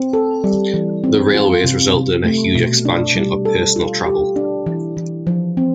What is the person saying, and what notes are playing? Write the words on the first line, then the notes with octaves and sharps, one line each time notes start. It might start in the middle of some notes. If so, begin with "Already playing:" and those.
The railways resulted in a huge expansion of personal travel.
Already playing: C4
A4
G3
E3
C4
F4
C3
C3
A3
B2
D4
G3
A4
F4
G4
D4
E3
E3
F3
C4